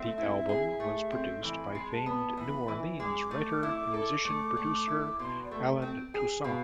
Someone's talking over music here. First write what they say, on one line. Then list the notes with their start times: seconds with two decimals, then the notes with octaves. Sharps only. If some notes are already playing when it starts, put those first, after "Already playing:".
The album was produced by famed New Orleans writer-musician-producer Allen Toussaint.
Already playing: A3 C4 E5
0.18 E4
0.49 G#4
0.80 A3
1.12 C4
1.43 E3 B5
1.75 G#3
1.90 A5
2.06 B3
2.37 E3 B5
2.68 E3
3.00 G#3 D6
3.31 A3
3.63 E4
3.94 A4
4.25 A3
4.57 A3
4.87 E4
5.19 B2 C6
5.43 D5
5.51 A3
5.82 C4
6.14 G#4 G#5
6.44 B2 F5